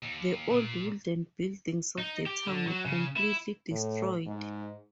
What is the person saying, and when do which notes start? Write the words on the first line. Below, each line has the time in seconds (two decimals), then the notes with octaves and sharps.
The old wooden buildings of the town were completely destroyed.
0.03 D#2
0.50 A#2
1.98 D#4
2.26 G4
2.46 D3
2.67 F#3
2.86 C#3
3.17 E4
3.71 A2
4.26 G#2